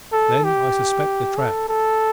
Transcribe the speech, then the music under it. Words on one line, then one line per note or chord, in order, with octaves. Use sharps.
Then I suspect the trap.
A4
G4
A4
A4